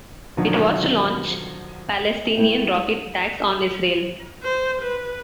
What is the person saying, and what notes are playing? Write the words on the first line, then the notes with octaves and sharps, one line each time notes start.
It was to launch Palestinian rocket attacks on Israel.
B2 D3 D#3 F3 F#3
G#3 A3 E4 B4 G5
C5
B4